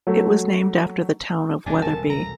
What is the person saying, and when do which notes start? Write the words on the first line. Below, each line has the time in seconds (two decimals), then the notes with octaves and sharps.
It was named after the town of Wetherby.
0.07 F#3 A3
1.66 E1 C2 F#2 C#4 D4 G#5
1.82 A4 A#4 G#5 A5
2.10 A#5